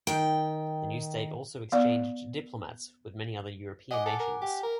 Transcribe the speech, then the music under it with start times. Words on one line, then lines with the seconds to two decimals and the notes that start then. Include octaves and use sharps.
The new state also exchanged diplomats with many other European nations.
0.07 D#3 G5
1.72 B3 D5
3.91 D#5 F#5 G#5 D6
4.06 A4
4.19 A#4
4.42 G4
4.63 A#4